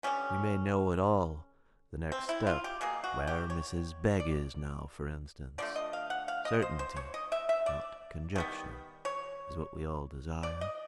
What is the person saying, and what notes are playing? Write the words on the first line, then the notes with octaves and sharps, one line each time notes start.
"We may know it all, the next step; where Mrs. Begg is now, for instance. Certainty, not conjecture, is what we all desire."
D3 G3 B3 C#4
C4
E4
F4
G4
B2 F#3 A#3 G#4
F#4
G4
C#5
D5
D3 F3 A3 D5
D#5
F5
F#5
F5
D#5
C5
C5
C#5
D#5
E5
E5
D5
D#3 G3 B3
C#5
D5
D#5